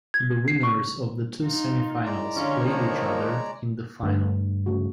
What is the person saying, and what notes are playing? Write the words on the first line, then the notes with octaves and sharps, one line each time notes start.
The winners of the two semi-finals played each other in the Final.
G#6
C7
C#6
D#4 F4
G#3 E4 D5 A#5
D3 C#4 F4
A2 D#3 F3 A#3 C#5
G2 D3 A3 B4
C#3 A3 F#4